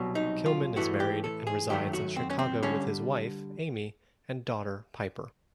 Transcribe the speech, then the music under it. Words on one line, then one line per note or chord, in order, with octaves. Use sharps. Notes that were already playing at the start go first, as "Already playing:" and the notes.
Kilman is married and resides in Chicago with his wife, Aimee, and daughter, Piper.
Already playing: C2 B2 F#3
D#4
F4
A2 E3 A3 F#4
G4
A4
G#4
F#2 D#3 F#3 A3 G4
F#4
C4
C#4
C4
D3 G3 C#4